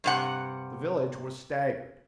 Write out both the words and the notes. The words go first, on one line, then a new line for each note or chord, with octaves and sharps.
The village was staggered.
G2 C3 F#5